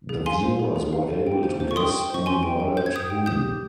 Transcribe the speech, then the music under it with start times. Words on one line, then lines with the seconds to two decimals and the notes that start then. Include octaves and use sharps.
The viewers were able to guess who murdered whom.
0.09 G#4
0.26 F5 G#5 C6
0.43 C5
0.59 G#4
0.76 G#4
0.93 F5
1.10 C5
1.27 G5
1.43 C5
1.60 C5
1.71 C#6
1.76 G5 C6 D#6
1.93 G5
2.10 C5 C#6
2.26 C5 G#5 C6
2.43 G5
2.60 G5
2.77 C5 G6
2.86 G#6
2.94 C5 D#6 G6
3.10 G5
3.26 G4 D#6 G6
3.43 G4